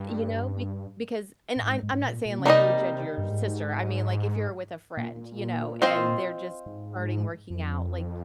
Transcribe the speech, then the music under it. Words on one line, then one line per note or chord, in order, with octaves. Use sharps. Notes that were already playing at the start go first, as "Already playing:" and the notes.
eh, you know? Be because and I'm I'm not saying, like, you would judge your sister, I mean, like, if you're with a friend, you know, and they're just starting working out, like,
Already playing: G2
A#2
G#2
G#2
G#2
A#2
A#2
C#3
C3 G3 A#3 D#4 A#4 D#5
G2
G#2
A#2
C4 F4 C5 D#5
G#2
F2